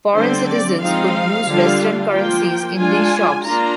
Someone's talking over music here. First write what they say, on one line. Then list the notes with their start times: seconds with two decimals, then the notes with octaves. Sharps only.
Foreign citizens could use western currencies in these shops.
0.14 D3 G3 C4 C5
0.47 D5
0.80 F3 G#3 C4 D#4 F5
1.45 D3 G3 D4 F4
2.11 F3 A#3 F4 G5
2.77 G#3 D4 F4 G#5
3.43 A#3 D4 F4 A#5